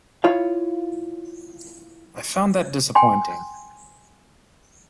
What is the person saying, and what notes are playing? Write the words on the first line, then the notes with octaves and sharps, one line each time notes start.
I found that disappointing.
E4 F4 C#5 F5
G5 G#5 C6